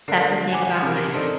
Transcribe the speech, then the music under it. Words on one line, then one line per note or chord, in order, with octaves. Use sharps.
That's the thing about life.
D3 A#4 C7
F#5 G#5 D6
C3 E3 A#4
D4 D#4 A4 A#4 C5